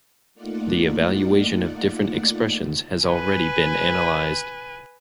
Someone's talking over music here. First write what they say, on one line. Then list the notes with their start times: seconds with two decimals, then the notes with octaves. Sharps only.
The evaluation of different expressions has already been analysed.
0.34 A3 A#3 D#4 F4 D5 F#5
3.06 B4 G#5